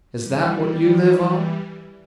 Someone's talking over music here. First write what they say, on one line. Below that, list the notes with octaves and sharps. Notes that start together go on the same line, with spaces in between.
"Is that what you live on?"
E3 G3